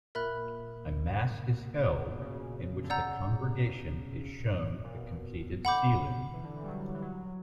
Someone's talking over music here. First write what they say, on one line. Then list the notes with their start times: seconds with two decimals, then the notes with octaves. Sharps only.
A mass is held in which the congregation is shown the completed ceiling.
0.15 A#2 A#4 E5 B5 F#6
2.10 B2
2.21 C#3
2.84 D3
2.90 C#3 D5 F#5 A#5 E6 G6
3.58 B2
4.84 A#2
4.96 B2
5.65 D3 F#5 B5 D6 G6
6.34 E3
6.45 D3
6.56 E3
6.64 G3
6.68 F#3
6.94 E3
7.02 F#3